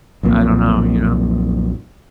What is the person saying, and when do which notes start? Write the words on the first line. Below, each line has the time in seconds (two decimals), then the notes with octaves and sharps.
I don't know, you know?
0.23 B1 F2 A#2